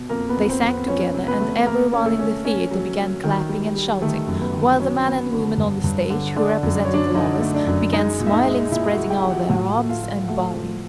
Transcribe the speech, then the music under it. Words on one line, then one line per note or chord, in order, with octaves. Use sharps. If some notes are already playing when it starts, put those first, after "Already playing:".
They sang together and everyone in the theater began clapping and shouting, while the man and woman on the stage--who represented lovers-- began smiling, spreading out their arms, and bowing.
Already playing: B2
F2 A#3 A#4
B3 B4
F2
C4 C5
F2
B3 B4
F3 C#4 C#5
C3
B3 B4
A3
A#3 A#4
C#4
A3 A4
C#4
C#4
F#3
F#3
D#3
G3
G3
D#3 A3 A4
F#2
B3 B4
D#3
F#3 C#4 C#5
B3
D3
G2
G2
D3
D3 D4 D5
F#2
D5
F#3 C#5
D4 D5
D3 D#4 D#5
A3
D4 D5
F#2
G#3 D#4 D#5
A#2
E5
D#4 D#5
G#3
A#2 E4 E5
F#4 F#5
G#3
G4 G5
F3
F#4 F#5
A2 F#4 F#5
A3
F4 F5
F3
A3 F#4 F#5
F3